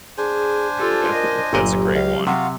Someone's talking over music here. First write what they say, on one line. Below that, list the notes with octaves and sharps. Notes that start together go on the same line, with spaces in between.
That's a good that's a great one.
D4 G#4 C5 G#5
F4 G4 A4
A#4 D#5
G1 A#2 F#3 G4 D#5
C#2 F5
C3 F4 F#4 F5 F#5